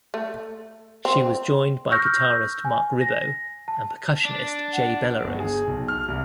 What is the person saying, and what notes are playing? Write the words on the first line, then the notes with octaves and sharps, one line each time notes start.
She was joined by guitarist Marc Ribot and percussionist Jay Bellerose.
A3
C4
C#6 E6 F6 G6 A#6
G#5
A#6
A5
D4
F#5
G1
G#4
B1
F6
C2